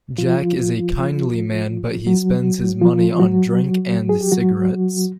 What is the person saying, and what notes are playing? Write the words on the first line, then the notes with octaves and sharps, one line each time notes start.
Jack is a kindly man but he spends his money on drink and cigarettes.
F3 F4
F#3 F#4
F3 F4
F#3 F#4
G#4
G4
F#3 F#4